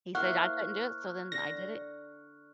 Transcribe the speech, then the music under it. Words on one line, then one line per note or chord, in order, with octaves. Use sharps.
He said I couldn't do it, so then I did it.
A#3 E4 C5 F#5 C#6 F6 F#6
D3 A#6